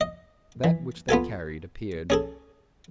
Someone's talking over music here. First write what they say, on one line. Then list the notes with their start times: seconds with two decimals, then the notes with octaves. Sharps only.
That which they carried appeared.
0.01 D#5
0.64 E3
1.09 B3 F4 A4 G#5
2.10 C#4 G#4 A4